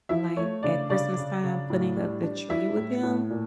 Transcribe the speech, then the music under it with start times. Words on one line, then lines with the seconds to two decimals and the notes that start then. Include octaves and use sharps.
like, at Christmas time, putting up the tree with him,
0.09 F3 E4 E5
0.37 A3 C#5
0.63 C#3 D4 D5
0.89 C#3 D4 D5
1.17 C#3
1.44 C#3
1.70 A2
1.97 G3
2.23 D4
2.50 G3 E4 E5
2.77 A2
3.03 A2
3.30 A#2